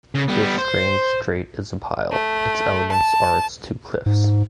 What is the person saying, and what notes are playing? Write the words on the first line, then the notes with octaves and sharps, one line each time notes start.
This strange strait is a pile; its elements are its two cliffs.
C#3
G3 B3
C5
A3
A5
G#2